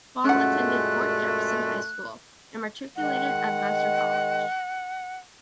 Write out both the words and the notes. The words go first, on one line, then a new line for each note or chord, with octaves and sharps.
Ball attended Port Jefferson High School, and matriculated at Vassar College.
F#2 A#2 G#3 A3 C#4 F#5 F#6
D#3 G#3 F#5